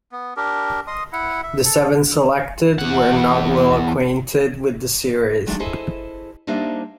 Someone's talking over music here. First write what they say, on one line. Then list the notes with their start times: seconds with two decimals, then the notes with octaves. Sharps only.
The seven selected were not well-acquainted with the series.
0.12 B3
0.37 D4 G4 A#4
0.87 D#5 C6 D#6
1.13 E4 F#5
1.43 E5
1.65 A4
2.79 E2 F#5
5.47 D#3 F#3 G#3 A3 D4 E4
5.60 E4 G#4 A4 C5 D#5
6.47 G3 A#3 D4 D#4 C5 E5